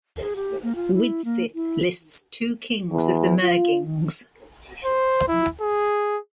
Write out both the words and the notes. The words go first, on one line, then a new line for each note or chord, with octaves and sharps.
Widsith lists two kings of the Myrgings.
G#4
G4
A#3
F4
E4
A#3
E4
E2
F4
C5
E4
G#4